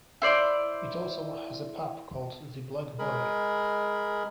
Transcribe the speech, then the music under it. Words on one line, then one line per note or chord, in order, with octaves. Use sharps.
It also has a pub called "The Black Boy".
E4 C5 D5
G#3 G#4 A#4 B5